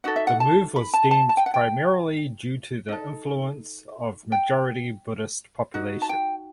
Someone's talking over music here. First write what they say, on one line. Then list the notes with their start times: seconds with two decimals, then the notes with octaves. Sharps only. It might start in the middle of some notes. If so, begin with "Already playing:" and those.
The move was deemed primarily due to the influence of majority Buddhist population.
0.04 D#4 F#4 A4 F#5
0.16 E5
0.27 F#5
0.40 A5
0.76 B5
0.94 A5
1.11 A5
1.29 A5
1.37 G5
1.46 F#5
1.54 G5
2.89 D#4 A4
4.32 G5
5.74 D#4 F#4
6.02 A5
6.09 G5